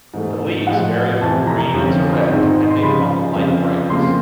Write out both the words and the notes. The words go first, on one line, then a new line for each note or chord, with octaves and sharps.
The leaves vary from green to red depending on the light brightness.
G#2 E3 A3
A2 F3 G#3 F#5
F2 C3 E3 A5
A#5
F2 D3 F3 A3 C#4
G#2 D#3 G#3 C4 D#4
C6
C#3 F3 G#3 B5
F2 C#3 F3
F2 C#3 F3 A#3 C6